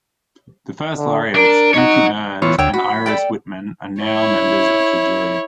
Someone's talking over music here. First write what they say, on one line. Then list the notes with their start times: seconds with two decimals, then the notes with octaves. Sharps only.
The first laureats, Imke Bruns and Iris Wittmann are now members of the jury.
0.96 D3
1.35 D4 A#4
1.74 D#4 C#5 F#5
2.42 E3 B3 F4 C#5
2.59 D2 C#5 G5 E6
2.74 F#4 B5
3.06 A4 D5 G5
4.03 E4 C#5